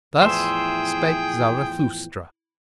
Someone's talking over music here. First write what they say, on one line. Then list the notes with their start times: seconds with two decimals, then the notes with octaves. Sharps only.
Thus spake Zarathustra.
0.22 E2 A2 F3 G#4 C5 E5 G5